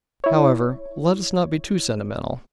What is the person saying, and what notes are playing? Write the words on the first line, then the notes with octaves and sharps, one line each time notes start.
However, let us not be too sentimental.
E4 C#5